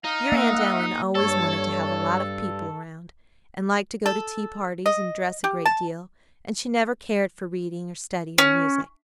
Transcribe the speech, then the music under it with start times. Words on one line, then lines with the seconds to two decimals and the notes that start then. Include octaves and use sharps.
Your Aunt Ellen always wanted to have a lot of people around, and liked to go to tea-parties and dress a great deal; and she never cared for reading or study or music.
0.05 D#4 F5
0.32 A#3 E5 F#5
1.15 G2 A4 C#5
4.06 A4
4.86 D#5
5.44 G4
5.66 A5
8.38 C#4